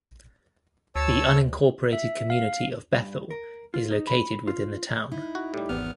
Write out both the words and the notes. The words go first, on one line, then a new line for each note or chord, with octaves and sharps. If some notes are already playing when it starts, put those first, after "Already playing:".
The unincorporated community of Bethel is located within the town.
D2 C#5 A5 E6
E5
F5
G2
A#4
F4
D#4
B5
F4
D#4 E4
F#4
A2 G3 G4
G#1 E2 B3 F6